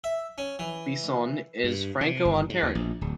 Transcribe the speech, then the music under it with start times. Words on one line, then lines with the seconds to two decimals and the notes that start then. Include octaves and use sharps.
Bisson is Franco-Ontarian.
0.04 E5
0.38 C#4
0.59 E3
1.64 G2
2.01 C3
2.25 G1
2.49 G#2
2.63 D#2
2.75 A#1
3.01 D1